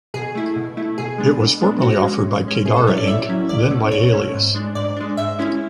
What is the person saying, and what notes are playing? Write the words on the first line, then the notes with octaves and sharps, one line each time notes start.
It was formerly offered by Kaydara Inc., then by Alias.
B2 G#4
A3 E4
B2
A3 E4
B2 G#4
G#3 B3 D4
B2
G#3 B3 D4
A2 F#4
G#3 C#4
A2
G#3 C#4
A2 G#4
A4
F#3 C#4 E4 C#5
D5
A2 E5
F#3 C#4 E4
C#2 D5
B2 A3 C#4
C#2 C#5
B2 A3 C#4
G#2
G#3 D4
G#2 D5
G#3 D4
G#2 E5
G#3 C#4 E4